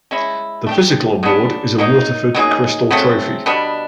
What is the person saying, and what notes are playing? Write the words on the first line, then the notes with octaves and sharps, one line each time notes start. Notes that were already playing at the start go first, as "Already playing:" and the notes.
The physical award is a Waterford crystal trophy.
G#3 C#4 E4
A3 D4 G4
C#3 F#3 B3 D4
F#3 A#3 D#4
F#3 A#3 D#4 G#4
C#3 F#3 A3 C4
B2 G3 B3 D4